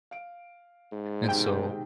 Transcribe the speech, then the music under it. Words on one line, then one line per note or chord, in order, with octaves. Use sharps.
and so,
F5 D7
G#2
B1 C3 D#3 G5